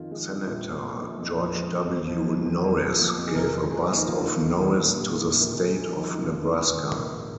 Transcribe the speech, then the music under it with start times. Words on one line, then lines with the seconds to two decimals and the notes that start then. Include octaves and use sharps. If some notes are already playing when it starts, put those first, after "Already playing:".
Senator George W. Norris gave a bust of Norris to the State of Nebraska.
Already playing: F2 D#3 F4
0.11 G#3
0.29 F2
0.47 A#1
0.66 A#2
0.83 A#3
1.01 A#1
1.20 F2
1.38 F3
1.55 G#3
1.74 F2
1.91 F2
2.09 F3
2.27 G#3
2.46 F2
2.64 F2
2.81 F3
2.99 A#3
3.17 F2
3.27 G#4
3.35 F1 A#4
3.53 F2
3.71 F3 G#4
3.89 A#3
3.97 D#4
4.08 D#2 F4
4.26 D#3
4.44 G#3
4.61 D#2
4.79 A#1
4.97 A#2
5.15 A#3
5.33 A#1
5.40 A#4
5.52 C#2 G#4
5.69 C#3
5.75 G#4
5.87 F3 C#4
6.00 D#4
6.05 G#3
6.15 D#4
6.23 D#2 F4
6.42 D#3
6.59 G#3 G#4
6.77 D#2
6.95 A#1 A#4
7.13 G#2